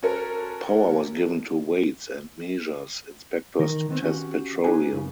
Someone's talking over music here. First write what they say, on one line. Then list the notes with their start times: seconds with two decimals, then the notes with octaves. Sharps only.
Power was given to Weights and Measures inspectors to test petroleum.
0.03 C#4 F#4 A4 A#4 C5
3.60 D#3 A#4
3.89 D#3 B3 C4
4.02 C#4 E4 F#4 G4 F#5
4.64 C4 D#4 G4 G#4 B4 G#5
4.92 F#2 C#3